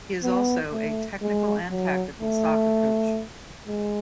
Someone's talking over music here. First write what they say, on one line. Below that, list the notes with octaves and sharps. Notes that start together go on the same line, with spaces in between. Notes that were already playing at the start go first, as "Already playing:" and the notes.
He is also a technical and tactical soccer coach.
B3
A3
G#3
F#3
A3
G#3